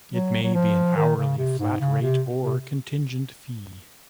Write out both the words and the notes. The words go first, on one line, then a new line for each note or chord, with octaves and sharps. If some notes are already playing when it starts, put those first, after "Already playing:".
It may be an hourly, flat-rate or contingent fee.
F#3
F#3
F3
D#3
C#3
C3
G#2
C#3
C3
C3